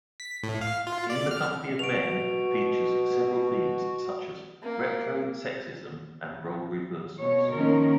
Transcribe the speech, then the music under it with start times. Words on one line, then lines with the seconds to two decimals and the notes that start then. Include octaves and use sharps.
"In the Company of Men" features several themes such as retro-sexism and role reversals.
0.20 B6
0.43 A2
0.61 F5
0.87 F4
1.10 D5
1.31 F6
1.79 B2 F#4 D7 F7
4.62 A#3
7.21 B2 C#5
7.56 D#3 F3 A#3 C#4 D#4 A#4